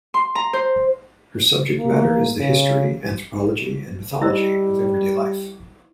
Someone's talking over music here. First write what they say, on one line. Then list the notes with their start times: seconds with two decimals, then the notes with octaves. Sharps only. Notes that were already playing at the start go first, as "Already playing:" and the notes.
Her subject matter is the history, anthropology, and mythology of everyday life.
0.14 C6
0.35 A#5
0.53 C5
1.79 A#3
2.40 C#3
4.22 G3 E4 D#5 E6